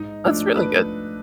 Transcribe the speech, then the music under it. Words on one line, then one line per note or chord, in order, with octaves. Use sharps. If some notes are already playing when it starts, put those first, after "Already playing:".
That's really good.
Already playing: G#2 D#4 D#5
F3 A3 D4
B4